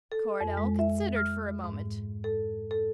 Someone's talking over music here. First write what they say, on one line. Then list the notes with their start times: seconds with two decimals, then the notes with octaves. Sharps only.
Coronel considered for a moment.
0.12 A4
0.41 F2
0.57 G#3
0.79 E5
1.16 F6
1.64 G#2
2.24 A4
2.71 A4